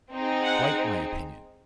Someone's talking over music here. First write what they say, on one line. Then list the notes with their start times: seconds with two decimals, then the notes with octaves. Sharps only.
"Quite my opinion."
0.11 C4 D#4 G#4
0.43 F#5